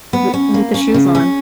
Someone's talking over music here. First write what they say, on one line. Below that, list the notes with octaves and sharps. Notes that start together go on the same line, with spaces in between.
W with the shoes on.
B3
C#4
A#3
C#4
C#3
C#4